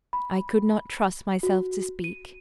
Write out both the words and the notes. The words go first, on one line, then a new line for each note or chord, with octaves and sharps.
I could not trust myself to speak.
B5
F#4
D#7